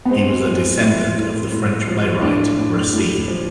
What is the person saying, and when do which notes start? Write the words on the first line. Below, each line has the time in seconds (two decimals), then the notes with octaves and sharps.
He was a descendant of the French playwright Racine.
0.05 B3
0.10 G#3 C4
0.45 A2
0.80 A2 E4
1.16 A2
1.52 A2
1.88 F3
2.22 A2 D4
2.58 A2
2.93 A2
3.28 F3